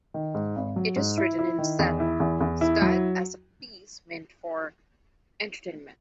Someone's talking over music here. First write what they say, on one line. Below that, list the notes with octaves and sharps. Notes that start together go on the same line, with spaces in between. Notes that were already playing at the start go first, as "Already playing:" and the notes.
It is written in Salon style as a piece meant for entertainment.
D#3
G#2
G#1
F#3
G#2
E4
E4
D#3
E2
E4
E2
E2
E4
F#3